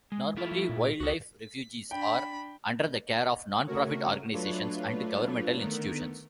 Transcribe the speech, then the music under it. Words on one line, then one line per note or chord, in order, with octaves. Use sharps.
Normally, wildlife refuges are under the care of non-profit organizations and governmental institutions.
G#3
A3 E4 F4
F3
A#2
C#2 F#4 A4
D4 G5 B5
C#3 A3 F#4 A#4 C#5
F#3 A3 D4 F4 B4 C#5
D3 D#3 A3 B3 A#4